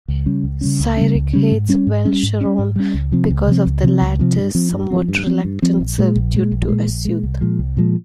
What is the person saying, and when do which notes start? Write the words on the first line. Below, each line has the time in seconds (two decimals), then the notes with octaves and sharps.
Cyric hates Velsharoon because of the latter's somewhat reluctant servitude to Azuth.
0.08 C#2
0.26 C#3 G3 C#4
0.44 C#2
0.61 C#3 G3 C#4
0.80 C#2
0.97 C#3 G3 C#4
1.15 C#2
1.33 C#3 G3 C#4
1.52 G#2
1.69 G3 C#4
1.87 G#2
2.05 G3 C#4
2.23 G#2
2.41 G3 C#4
2.59 G#2
2.76 G3 C#4
2.94 C#2
3.12 C3 F3 C4
3.30 C#2
3.48 C3 F3 C4
3.66 C#2
3.83 C3 F3 C4
4.02 C#2
4.19 C3 F3 C4
4.37 G2
4.55 F3 C4
4.73 G2
4.91 F3 C4
5.09 G2
5.26 F3 C4
5.45 G2
5.62 F3 C4
5.80 A#1
5.98 A#2 G#3
6.16 A#1
6.34 A#2 G#3
6.52 A#1
6.69 A#2 G#3
6.88 A#1
7.05 A#2 G#3
7.23 C2
7.41 A#2 F3 G#3
7.59 C2
7.77 A#2 F3 G#3